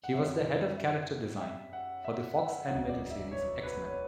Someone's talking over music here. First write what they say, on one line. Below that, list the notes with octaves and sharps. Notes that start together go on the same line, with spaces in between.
He was the head of character design for the Fox animated series "X-Men".
F#5
F#2 C#3 G3 E5
E5
E5
F#5
E5
F#5
E1 D2 C#3 F#3 F#5
D5
E5
C#5
B4
C#5